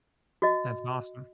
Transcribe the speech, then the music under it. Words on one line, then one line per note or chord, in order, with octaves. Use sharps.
That's awesome.
F#4 D#5